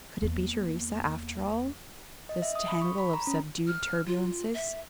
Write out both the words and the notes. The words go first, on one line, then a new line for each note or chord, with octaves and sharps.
Could it be Theresa, after all, this tangle of subdued turbulences?
E2 A#3
D#5
E5
D#6
B5
C#6
B5
A#5
C#4
F6
F4
E5